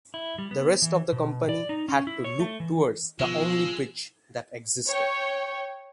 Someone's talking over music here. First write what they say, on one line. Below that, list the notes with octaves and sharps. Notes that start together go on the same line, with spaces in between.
The rest of the company had to look toward the only bridge that existed.
E4
G3
B3
E3
B2
D5
D#4
C#4
E4
C#5
A3
E3
B2 F3 G#3 E6
C#5 G5